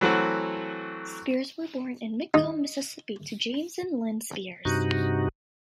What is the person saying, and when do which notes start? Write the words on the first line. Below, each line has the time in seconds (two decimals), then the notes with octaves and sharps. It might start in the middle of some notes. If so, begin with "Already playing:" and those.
Spears was born in McComb, Mississippi, to James and Lynne Spears.
0.01 E3 F#3 A3 C4 F#4
2.34 D#4
4.65 G2 C3 D#4 F#4